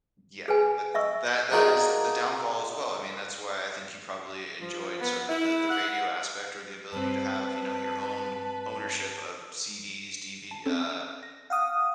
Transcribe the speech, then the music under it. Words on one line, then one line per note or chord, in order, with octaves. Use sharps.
Yeah, that's that that is th the downfall as well. I mean, that's why I think you probably enjoyed, sort of, the the radio aspect or the ability to have, you know, your own ownership of CDs, DV uh,
G#4 B4 G#5
D#5 E5 C#6 E6
D4 D#4 F4 F#4 G#4 A#4
F3
B3
E4
F#5
G2 C4 B4 A5
A5
C4 C#4 A4
A#6
F5 F#5 D#6